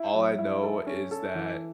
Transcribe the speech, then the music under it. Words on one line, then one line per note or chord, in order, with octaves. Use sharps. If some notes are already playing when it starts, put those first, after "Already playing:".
all I know is that
Already playing: E4
F#3
E4
A4
C#4
A4
E3